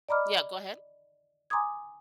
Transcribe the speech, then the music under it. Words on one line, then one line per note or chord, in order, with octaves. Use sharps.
Yeah, go ahead.
D5 D#5 A#5 B5 D6 F6
G#5 A#5 C6 D6 D#6 G#6